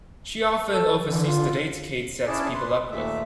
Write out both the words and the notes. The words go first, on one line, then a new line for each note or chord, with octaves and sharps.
She often oversees the dates Kate sets people up with.
A4
D3 E3
F4
C#4 D4 E4 G#4 D5 A5
B4 C6
D#2 A#2 A3 E5